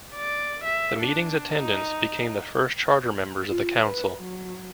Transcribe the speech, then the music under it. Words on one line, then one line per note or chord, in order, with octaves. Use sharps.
The meeting's attendants became the first charter members of the Council.
D5
E5
D4
D#4
F4
B4
F#3